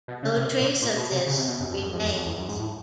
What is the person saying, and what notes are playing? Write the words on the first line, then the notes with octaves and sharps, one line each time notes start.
No trace of this remains.
B2
C#3
C3
A#2
A#2
B2
C3
C#3
C3
B2
F#2
F2
F#2
F2
E2
F2
E2
F#2
G#2
A2